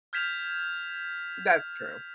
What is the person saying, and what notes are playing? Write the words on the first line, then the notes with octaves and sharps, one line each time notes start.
That's true.
F6 G6 G#6 B6 E7 F7